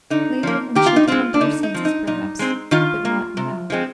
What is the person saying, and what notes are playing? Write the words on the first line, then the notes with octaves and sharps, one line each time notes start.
Later, when she had come to her senses, perhaps--but not now.
D3 D#4
F3 A#3
D#3 G4
F4
D#4
G#3 C4 F4
D4
D3 D#4
D#4
F3 C4
D#4
A#2 D#4
G#3 C4
D#3 F4
A#3
C3
F3 G#3 C4